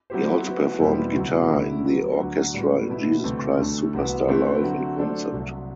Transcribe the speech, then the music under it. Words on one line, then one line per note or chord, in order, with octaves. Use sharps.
He also performed guitar in the orchestra in "Jesus Christ Superstar Live in Concert".
F#3 C4 E4 G4 C5
F#3 B3 E4
E2 B2 G3 C4 E4
D2 C3 F#3
D2 D3 A3 E4
F#3 B3 F#4
D2 D3 F#3
A2 G3 B3
B2 A3 E4
D2 C3 E3 A3 C4
D2 D3 A3
C2 C3 E3 B3 F#4
D3 A3 C4 E4 B4
D3 F#3 A3 C4 F#4
F#3 A3 D4 A4 C5
C2 C3 F#3